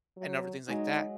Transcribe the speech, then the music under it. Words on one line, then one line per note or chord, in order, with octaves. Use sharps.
and other things like that?
F#3
F#3 G#3 D#4 D#5